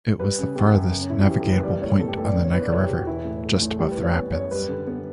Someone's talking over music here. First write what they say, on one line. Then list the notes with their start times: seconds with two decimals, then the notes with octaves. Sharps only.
It was the farthest navigable point on the Niger River, just above the rapids.
0.19 G3 B4
0.38 C#3
0.55 B3 G4
0.74 F#2
0.92 C#3
1.00 C#4
1.10 E2 E4
1.19 F#4
1.27 E3 G4
1.40 A4
1.45 F#1
1.52 B4
1.63 G3 D5
1.82 A2 C#5
1.99 B3 A4
2.08 G4
2.17 A1 A4
2.26 D5
2.35 D3
2.44 C#5
2.53 E2 B4
2.62 D5
2.71 E1 C#5
2.83 G4
2.89 E1
2.95 F#4
3.07 E3 E4
3.25 A2
3.43 A3
3.61 A1
3.70 A4
3.79 G3 G4
3.91 B4
3.97 E3
4.03 C#5
4.15 B3
4.33 F#2 C#5
4.51 G3 B4
4.69 D3
4.87 B3